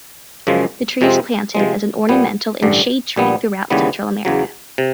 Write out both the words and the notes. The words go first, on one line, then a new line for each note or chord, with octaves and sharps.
The tree is planted as an ornamental and shade tree throughout Central America.
F#2 C#3 F3 G#3
F2 C3 F3 G#3 C4
C3 F3 G#3
A#2 G3 B3
A1 G2 D3
A#1 A#2 G3 B3
D#2 C#3 E3 G3 B3
E2 C#3 F#3
C3